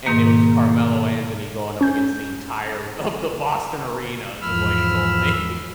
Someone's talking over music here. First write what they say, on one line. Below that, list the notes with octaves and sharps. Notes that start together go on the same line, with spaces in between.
and it was Carmelo Anthony going up against the entire of the Boston Arena, is what he told me.
G#2 B2 D#3 A#3
C#4 G6
E2 G#2 F3 B5 E6 F6